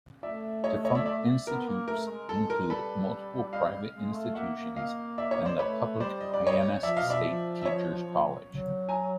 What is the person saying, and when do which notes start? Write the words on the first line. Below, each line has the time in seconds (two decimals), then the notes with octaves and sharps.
Defunct institutes include multiple private institutions, and the public Hyannis State Teachers College.
0.23 A3 D5 E5
0.64 C#5 D#5
0.85 C#5 D#5
0.95 D5 E5
1.05 D5 E5
1.47 B3 A#4
1.67 A#3
1.88 A3 A#4
2.08 G#3
2.29 G#3 A4
2.50 A#4
2.70 G3 A4 B4
3.53 D#5 F5
3.94 G#3
4.14 A3
4.35 A#3 E5 F#5
4.56 A#3
4.76 A#3 D#5 F5
5.18 D5 E5
5.31 C#5 D#5
5.45 C5 D5
5.59 A3 B4 C#5
6.00 G3 C5 D5
6.21 D#5
6.34 D5
6.46 C#5 D#5
6.83 F3 D5 E5
6.96 D#5 F5
7.03 B2
7.10 D5 E5
7.25 F3
7.61 E5
7.65 C#5 D#5
8.47 F#3
8.89 G#5 A#5